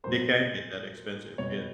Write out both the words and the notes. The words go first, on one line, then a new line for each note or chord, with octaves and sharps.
they can get that expensive, yeah.
A#2 F#3 A#3 C5
B2 G3 B3 C#5